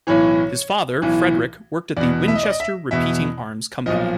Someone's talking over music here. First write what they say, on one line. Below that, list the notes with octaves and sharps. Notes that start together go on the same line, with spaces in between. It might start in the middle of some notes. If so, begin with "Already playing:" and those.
His father, Frederick, worked at the Winchester Repeating Arms Company.
B1 A2 E3 C#5
B1 A2 E3
E2 B2 D5
E5
D#5
D5
D#5
E5
E2 B2 E5
B1 A#2 F3 D#5